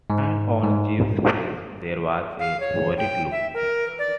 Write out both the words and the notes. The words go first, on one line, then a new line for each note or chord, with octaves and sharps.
And on Jip’s face there was a worried look.
G#2
G#2
F5
C#5
G5
E5
A#4
D5